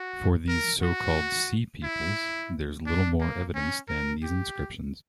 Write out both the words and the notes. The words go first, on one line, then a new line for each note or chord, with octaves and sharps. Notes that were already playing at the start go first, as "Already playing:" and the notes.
For these so-called "Sea Peoples", there is little more evidence than these inscriptions.
Already playing: F#4
A#4
F#4
E4
D4
A#3
C#4
A#4
G4